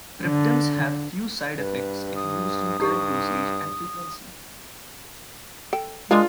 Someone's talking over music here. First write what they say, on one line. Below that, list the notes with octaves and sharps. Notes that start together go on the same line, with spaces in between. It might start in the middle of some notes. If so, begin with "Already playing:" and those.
Triptans have few side effects if used in correct dosage and frequency.
D3
G2 B4
D#6
G2 D#4 G4 C#6
A4 G5
G#3 D4 F4 G#4 A#4